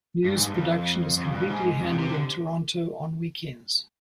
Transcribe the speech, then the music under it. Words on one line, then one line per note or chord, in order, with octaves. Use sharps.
News production is completely handled in Toronto on weekends.
G2
G#2
G2
F2
F2
G2
G#2
F2
C3
C3
D3